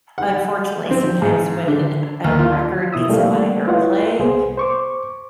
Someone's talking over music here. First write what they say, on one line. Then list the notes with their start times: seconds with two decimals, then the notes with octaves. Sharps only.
Unfortunately, sometimes when an a record gets a lotta airplay,
0.18 F#5
0.91 C4
1.22 G#2
1.68 D3
2.24 D#2
2.39 F4
2.92 B2 E4 D#6 E6
3.09 G3 A3 A#3 C4 G4 F5
3.67 E4 F4 B4 C#5 D#5 F#5
4.19 C2 B3 G#4 C5
4.57 C5 C#6 D6